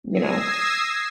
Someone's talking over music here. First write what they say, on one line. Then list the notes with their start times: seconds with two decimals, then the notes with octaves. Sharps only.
You know?
0.12 D#6 E6 G#6 A#6 C7